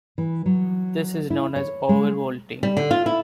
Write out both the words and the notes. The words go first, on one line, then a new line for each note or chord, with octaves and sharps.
This is known as overvolting.
E3
F#3
E4
C#5
G#3
G3
D3
F4
E4